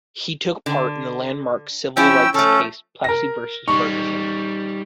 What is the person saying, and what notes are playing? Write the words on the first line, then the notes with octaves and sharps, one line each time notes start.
He took part in the landmark civil rights case, Plessy versus Ferguson.
D3
F3 C#4 E4 G5 E6
F3 A3 C#4 A4
A#4 A#6
G3 D#4 C#6